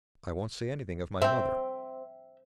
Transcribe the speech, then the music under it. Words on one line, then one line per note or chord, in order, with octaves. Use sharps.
I won't say anything of my mother!
C4 E5 G5